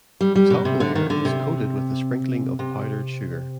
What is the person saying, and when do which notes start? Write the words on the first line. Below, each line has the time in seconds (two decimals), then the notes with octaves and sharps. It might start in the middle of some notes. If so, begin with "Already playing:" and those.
The top layer is coated with a sprinkling of powdered sugar.
0.21 G3
0.36 G3
0.50 B2
0.65 C3
0.80 D3
0.95 D#3
1.10 D3
1.25 C3
2.59 C3